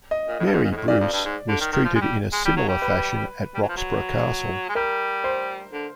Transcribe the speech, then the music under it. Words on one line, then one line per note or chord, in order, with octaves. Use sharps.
Mary Bruce was treated in a similar fashion at Roxburgh Castle.
D#5
A#2
A2
G2
G#2
A#2
G#2
A2
A#2 D5
F2
G2
G#2
D3
D#3
D#3
F3
G#3
G3
G#3
G3
F#3
G3
B4
G3
F#3
F3
F#3
G#3
G3 A#4
C5
D3